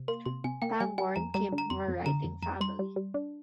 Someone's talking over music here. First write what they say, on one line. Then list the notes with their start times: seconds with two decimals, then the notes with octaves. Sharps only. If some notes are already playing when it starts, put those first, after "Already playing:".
Pangborn came from a writing family.
Already playing: C3
0.08 A#3 C6
0.26 C3 C6
0.44 C3 G#5
0.62 A#3 G5
0.80 G3 G#5
0.98 G3 G#5
1.16 F2 A#5
1.34 G3 A#5
1.53 D3
1.58 A#5
1.70 F2 C6
1.88 F2
2.06 D3 A#5
2.24 F2
2.42 F2 A#5
2.61 G3 C6
2.79 G3
2.96 G3
3.14 D4